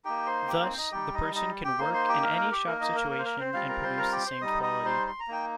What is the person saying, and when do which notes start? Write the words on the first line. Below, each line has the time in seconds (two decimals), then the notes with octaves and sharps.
Thus, the person can work in any shop situation and produce the same quality.
0.05 A#3 D#4 G4 G5
0.26 C5 C6
0.48 G4 G5
0.63 C4 C5
0.73 C5
0.78 D#4 D#5
0.92 G3 D#4 G4 G5
1.14 D#4 D#5
1.35 D#4 D#5
1.65 G4 G5
1.79 A#3 D#4 C5 C6
1.94 C5 C6
2.08 G4 G5
2.23 A#4
2.37 A#4
2.52 G4
2.66 A#3 D#4 A#4
2.81 D#4 D#5
2.95 A#4
3.11 A#4
3.19 C5
3.25 A#4
3.39 C4 C5
3.54 G3 C4 F4 F5
3.69 A#4 A#5
3.83 C5 C6
3.97 A#4 A#5
4.12 G4 G5
4.26 C5 C6
4.41 G3 D#4 D#5 D#6
4.63 D#5 D#6
4.85 C5 C6
5.07 C6
5.20 A#5
5.28 A#3 D#4 G5